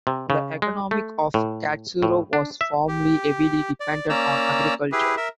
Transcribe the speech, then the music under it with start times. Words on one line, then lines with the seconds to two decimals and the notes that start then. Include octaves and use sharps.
The economy of Katsuro was formerly heavily dependent on agriculture.
0.07 C3
0.30 C#3
0.62 G#3
0.91 A3
1.34 A2
2.03 A2
2.33 D4
2.61 E5
2.88 G4
3.80 D5
4.10 A#3 C#4 D5 A#5 E6
4.92 E4 G4 G#4 B4
5.17 A#4 E5